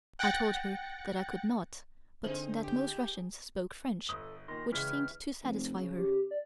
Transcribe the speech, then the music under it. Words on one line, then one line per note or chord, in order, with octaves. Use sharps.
I told her that I could not, but that most Russians spoke French, which seemed to satisfy her.
F#5 G5 F#6 A6 A#6 C#7
D3 C4 D#4 G#4 C5 F#7
G4 G6
G1 A4 D#6
A#2 D#3 C6 A#6
C#3 E3 G#3 C#4 B4 E5 G5 F6
F1
C#3
G4
D5